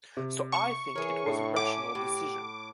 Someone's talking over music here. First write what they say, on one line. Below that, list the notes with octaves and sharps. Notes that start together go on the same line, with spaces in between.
So I think it was a rational decision.
C3
C#6
E3 G#4 A#4 C#5
A2 D4 A5 C7
C#4 A4 F#5 D6
A2 G4